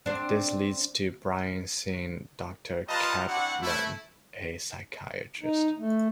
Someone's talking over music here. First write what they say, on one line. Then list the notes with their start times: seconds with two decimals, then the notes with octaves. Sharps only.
This leads to Brian seeing Doctor Kaplan, a psychiatrist.
0.06 C4 D4
2.88 G3 F4 B4 D#5 A5 A#5
3.27 C4 D4 E4 F#4 F#5
3.62 A3 E4
5.42 D#4
5.79 A3